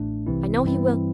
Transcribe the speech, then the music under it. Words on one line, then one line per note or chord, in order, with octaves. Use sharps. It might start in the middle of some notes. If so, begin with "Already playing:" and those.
I know he will!
Already playing: A1 A2 A3 D4
C2 C3 E3 C4 E4
G2 E3 G3 C4 E4